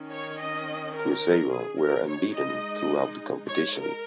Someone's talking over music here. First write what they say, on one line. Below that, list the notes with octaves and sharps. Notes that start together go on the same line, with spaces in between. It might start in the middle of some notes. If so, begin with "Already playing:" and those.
Cruzeiro were unbeaten throughout the competition.
Already playing: D#3 C#4
C#5
D#5
A#4
G#4
A#4
G#3 D#4 C#5
D#5
C#5
A#4